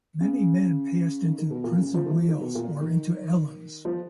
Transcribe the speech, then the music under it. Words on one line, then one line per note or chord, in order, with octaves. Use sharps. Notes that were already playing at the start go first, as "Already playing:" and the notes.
Many men passed into the Prince of Wales or into Ellen’s.
C#3
D#3
D#3
B2
A#2
C#3
F3
D#3
F3
D#3
B2
A#2
D#3
F3